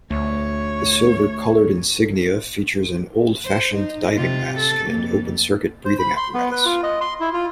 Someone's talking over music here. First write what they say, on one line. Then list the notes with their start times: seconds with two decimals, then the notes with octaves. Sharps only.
The silver-colored insignia features an old-fashioned diving mask and open-circuit breathing apparatus.
0.10 D2 A3 C#5
3.45 C5
3.74 D#4
4.17 C3 F4
4.58 A4
4.90 F2 A#3
5.85 C5
5.99 B5
6.17 C6
6.34 B3
6.51 B4
6.66 F4
6.83 D#5
7.01 C6
7.20 E4
7.33 F4